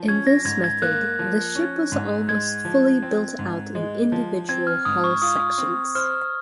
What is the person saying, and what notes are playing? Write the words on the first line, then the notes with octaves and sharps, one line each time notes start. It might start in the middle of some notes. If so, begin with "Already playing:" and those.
In this method, the ship was almost fully built out in individual hull sections.
Already playing: F3
C#4 G#6
A#6
G#2 G#6
G#6
A#3 F#6
F3
C#4
G#2
G#3 G#6
F3
C4
G#2
G#3
F3
C4 G#6
F6
G#2 D#6
C#6
F4 D#6
C4
C5 F6